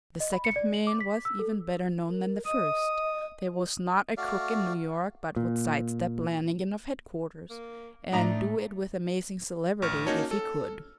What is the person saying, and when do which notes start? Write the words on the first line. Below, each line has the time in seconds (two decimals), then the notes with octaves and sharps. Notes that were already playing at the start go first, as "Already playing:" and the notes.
The second man was even better known than the first; there was not a crook in New York but would side-step Lannigan of headquarters, and do it with amazing celerity--if he could!
0.20 D#5
0.33 B5
0.45 C#7
0.56 D5
0.74 F#7
0.87 D6
1.01 B6
1.25 E6
1.39 A4
2.09 A#4
2.46 D#5 D#6
4.17 A3 F#4 D5 F5
5.36 A#2
7.50 A#3
8.12 A2 A3 D4 D#4 D5 A#5
9.82 A1 C#6 F6
10.06 A#3 C#4 D#4 F#4 C#5 A5
10.31 A4